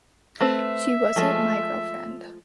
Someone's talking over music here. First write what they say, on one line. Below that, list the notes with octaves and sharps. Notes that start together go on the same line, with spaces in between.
She wasn't my girlfriend.
A3 C4 B4 E5
F3 G#3 A3